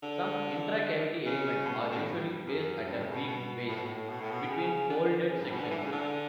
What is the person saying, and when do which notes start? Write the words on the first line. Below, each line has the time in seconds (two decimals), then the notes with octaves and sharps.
Some intracavity elements are usually placed at a beam waist between folded sections.
0.03 D3
1.25 C#3
1.66 B2
1.79 A2
1.92 A2
2.06 G2
2.46 F#2
2.87 G2
3.00 A2
3.09 C#3
3.13 B2
3.28 B2
3.68 A2
3.76 B2
3.85 A2
4.09 B2
4.21 A2
4.31 B2
4.49 C#3
4.90 D3
5.30 C#3
5.40 G2
5.51 B2
5.60 D3
5.71 E3
5.78 D3
5.85 C#3
5.92 D3